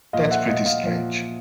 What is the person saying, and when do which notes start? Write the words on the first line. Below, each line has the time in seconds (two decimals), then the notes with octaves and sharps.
That's pretty strange.
0.13 A#2 F3 D#5 F5
0.31 E5 F#5
0.48 D#5 F5
0.66 D#5 F5
0.83 A#2 F3